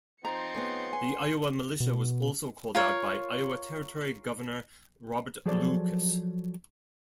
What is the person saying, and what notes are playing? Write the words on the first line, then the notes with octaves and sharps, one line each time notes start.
The Iowa militia was also called out by Iowa Territory governor Robert Lucas.
F3 C4 D#4 A#5 C6 C#7
B3 G#4 C#5
G#5
B2
F4 A#4 C#5
F3 F#3 G#4 A4 C5 D5